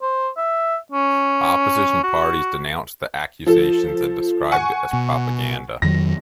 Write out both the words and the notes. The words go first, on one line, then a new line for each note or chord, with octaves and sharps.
Opposition parties denounced the accusations and described it as propaganda.
C5
E5
C#4
F#4
F3 A4
F#5 G#5 C#6
B2
F2 D#3 F#3 A#6